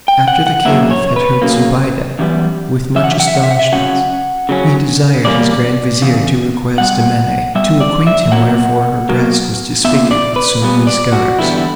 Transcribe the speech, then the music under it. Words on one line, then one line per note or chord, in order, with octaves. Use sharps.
After the caliph had heard Zobeide with much astonishment, he desired his grand vizier to request Amene to acquaint him wherefore her breast was disfigured with so many scars.
G5
F#5
F#5
F#2 C#3 F#3 A#3 E5
C#5
B4
F#2 C#3 F#3 A#3
F#2 E3 G3 B3
F#2 E3 E5
F#5
E5
F#5
E5
F#5
E5
F#5
E5
C#3 F#3 C#4 F#5
C#3 F#3 C#4
E2 C#3 G3 A#3 C#4 D5
E2 C#3
B2 G3 F#5
B2 G3 E5
D5
E5
B2 F#3 A#3 F#5
B2 F#3 A#3
A#2 G3 B3 E5
D5
B4
A#2 G3 B3
D5
F#4
E2 D3 G3 B3 E4
E4